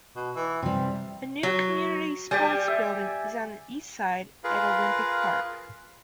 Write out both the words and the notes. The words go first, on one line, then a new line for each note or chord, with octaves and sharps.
A new community sports building is on the east side at Olympic Park.
B2
E3
C3 G3 C4
F#3
G3 G4 D5 G#5
E5
F4 G#4 A#4 B4 F5